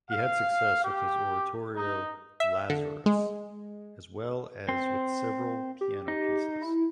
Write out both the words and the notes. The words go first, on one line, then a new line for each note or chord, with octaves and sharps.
He had success with his oratorio "Lazarus" as well as with several piano pieces.
F5
G4
D#4
E5
D3
G#3
C4 C5
G4
D#4
E4